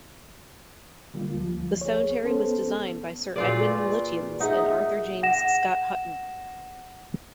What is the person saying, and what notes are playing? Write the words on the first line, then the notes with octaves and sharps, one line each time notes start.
The cemetery was designed by Sir Edwin Lutyens and Arthur James Scott Hutton.
D3 G3 A#3 F4
D2 F3
G#4 C#5
B3 C#4 A4 C5
A#2 F4 F#4 G#4 B4 D5
D#4 G#4 E5 F#5
F#5 A#6 E7